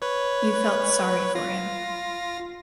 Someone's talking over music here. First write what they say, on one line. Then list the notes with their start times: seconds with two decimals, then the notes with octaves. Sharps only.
You felt sorry for him.
0.02 B4 C#5
1.35 F4 A#6